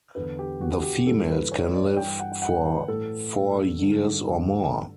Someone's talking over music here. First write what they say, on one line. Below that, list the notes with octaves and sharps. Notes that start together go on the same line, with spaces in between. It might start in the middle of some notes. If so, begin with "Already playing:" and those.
The females can live for four years or more.
E2 D3 B4
G4
F#4
G4
G2 E3 A4
B4
C#5
D5
G2 E3 G5
F#5
F#5
B4
A2 E3 A4
G2 D3